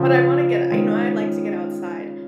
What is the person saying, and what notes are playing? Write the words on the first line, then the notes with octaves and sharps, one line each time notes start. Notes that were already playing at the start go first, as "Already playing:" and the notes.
but I wanna get you know, I like to get outside,
Already playing: C#3 F3
D#3 G#3